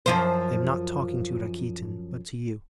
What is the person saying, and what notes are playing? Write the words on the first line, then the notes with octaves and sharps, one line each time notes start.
I am not talking to Rakitin, but to you.
F#2 F3 C5